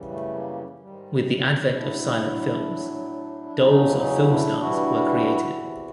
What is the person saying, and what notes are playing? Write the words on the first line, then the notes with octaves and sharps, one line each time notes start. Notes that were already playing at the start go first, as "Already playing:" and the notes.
With the advent of silent films, dolls of film stars were created.
Already playing: F#2 C#3 E3 G3
A3
A#3
G#2 D#3 G3
A2 F#3 D4 E4
A2 F#3
E4
E2 C#3 F#3 C#4 D#4
E4
C#4 D#4
D#4
D4 E4
G2 E3 G3 E4 F#4
E2 C3 E3